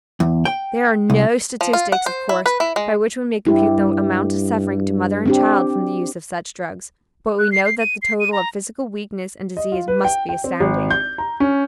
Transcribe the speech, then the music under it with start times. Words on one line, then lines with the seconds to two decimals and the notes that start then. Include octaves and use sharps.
There are no statistics, of course, by which we may compute the amount of suffering to mother and child from the use of such drugs, but we know that the total of physical weakness and disease must be astounding.
0.20 E2
0.45 G5
1.10 C2
1.61 F3
1.73 F4
1.92 F#5
2.06 C5
2.29 E4
2.46 B4
2.60 E4
2.76 G#3
3.47 G2 E4 G4
5.26 C4 D4 G4
7.39 F#6
7.52 C7
7.66 C7
7.79 D#7
8.02 C7
8.20 D#7
8.33 A#5
9.57 D#5
9.72 F4
9.88 B4
10.04 G5
10.29 G5
10.44 C4
10.60 G#1
10.90 G6
11.18 A#5
11.40 C#4